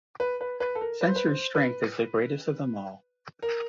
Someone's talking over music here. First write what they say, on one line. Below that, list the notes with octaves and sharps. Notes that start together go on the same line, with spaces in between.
Sentry's strength is the greatest of them all.
B4
B4
B4
A4
A#4
B4
C5
B4
C5
B4
A#4